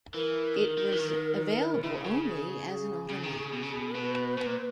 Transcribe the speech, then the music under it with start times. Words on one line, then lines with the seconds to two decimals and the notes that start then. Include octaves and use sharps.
It was available only as an automatic.
0.14 E3 A#4
0.56 D#3
0.78 D#3
0.92 E3
0.99 D#3
1.73 B2
1.83 C#3 E4
1.98 E4
2.05 C#3 A#4
2.11 G#4
2.26 G#4
3.10 C#3
3.24 D#3
3.38 C#3
3.53 B2
3.63 C#3
3.73 B2
3.95 B2 B4
4.38 B2
4.46 A#2